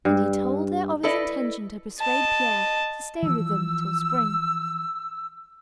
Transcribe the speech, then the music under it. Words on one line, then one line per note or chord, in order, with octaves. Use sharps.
And he told her of his intention to persuade Pierre to stay with them till spring.
G2
E4 A4 B4 D5 D#5
D#5 A5
E3 F3 E6